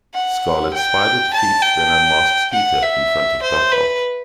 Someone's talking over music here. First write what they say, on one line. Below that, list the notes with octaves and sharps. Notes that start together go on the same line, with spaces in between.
Scarlet Spider defeats then unmasks Peter in front of Doc Ock.
F#5
G5
A5
G5
F#5
E5
C5
B4